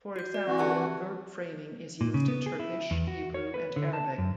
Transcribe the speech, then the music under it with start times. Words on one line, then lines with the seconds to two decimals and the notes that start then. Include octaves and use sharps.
For example, verb framing is used in Turkish, Hebrew and Arabic.
0.16 F#4 G6
0.34 D5
0.47 E3 C4 F#4
0.58 G4 A5 F#6
2.01 A#2
2.14 C#3
2.28 B3
2.46 G#4
2.60 E4
2.91 E2
3.08 F#4
3.34 C#5
3.54 B4
3.76 D3
3.93 A5
4.18 F#2